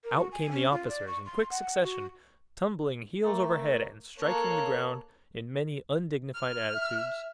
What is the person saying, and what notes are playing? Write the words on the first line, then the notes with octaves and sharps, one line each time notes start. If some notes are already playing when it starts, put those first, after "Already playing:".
Out came the officers, in quick succession, tumbling heels over head and striking the ground in many undignified attitudes.
A#4
F#4
G#5
C#4
F4
D5
C#6
C6
F#5
F#4
A3 A#3
A#3 A4 C#5 F#6
F6
E5